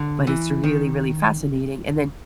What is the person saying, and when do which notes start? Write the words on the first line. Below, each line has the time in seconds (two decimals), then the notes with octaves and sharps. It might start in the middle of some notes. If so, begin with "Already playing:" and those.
but it's really really fascinating, and then,
Already playing: D3
0.27 E3
0.64 D#3